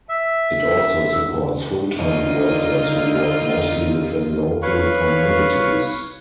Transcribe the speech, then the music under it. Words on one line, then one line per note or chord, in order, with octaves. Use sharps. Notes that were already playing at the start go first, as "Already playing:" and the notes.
It also supports full-time workers who work mostly within local communities.
E5
D3 D#4 F4
B4 C#5 F5 C#6